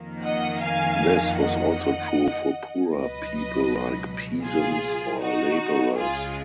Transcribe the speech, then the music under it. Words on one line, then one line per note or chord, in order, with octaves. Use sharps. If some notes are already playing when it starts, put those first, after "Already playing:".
This was also true for poorer people like peasants or laborers.
Already playing: F2 D#3 A#3
D#5 F#5
F5 G#5
D#5 F#5
C#2 B2 F#3 B4 D#5
F4 G#4
D#4 F#4
C#2 C#3 G#3 F4 G#4